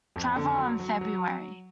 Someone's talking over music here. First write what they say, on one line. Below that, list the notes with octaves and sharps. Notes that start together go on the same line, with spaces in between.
Tarver in February.
F2
D3
F#3
F#3
F#3